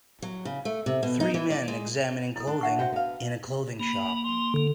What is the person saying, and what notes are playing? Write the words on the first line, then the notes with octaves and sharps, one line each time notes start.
Three men examining clothing in a clothing shop.
F#3
C#3
A3
C3
B2
D#4
E3
D5
G#3
E4 A4
D4
E5 F#5 C#6
F#4 C5 E5 F#5 G5
B3 F5
A#3 B5
C6
D3